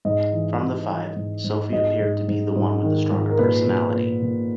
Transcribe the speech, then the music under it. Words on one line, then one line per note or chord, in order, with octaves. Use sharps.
From the five, Sophie appeared to be the one with the stronger personality.
G#2 D#5
E3
G#2
E3
G#2
G#2
G#2 D#5
G#2
G#2
G#2
D#3
G#2
A#4
A#2 B4
A#2
A#2
A#2